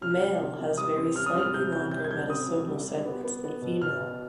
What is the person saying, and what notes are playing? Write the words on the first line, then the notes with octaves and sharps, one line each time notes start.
Male has very slightly longer metasomal segments than female.
C3 F6
G3
C3
C3
G3 D#6
C4
G3 F6
D#6
C4 F6
C3 G6
C3 G6
G3 G6
G#6
G3 G6
C4 D#6
C3
G3
G3
B3
B3
B3
B2
B2 F6
B2